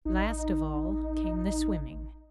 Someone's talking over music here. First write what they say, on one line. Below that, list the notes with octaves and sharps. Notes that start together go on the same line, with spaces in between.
Last of all came the swimming.
A1 D#4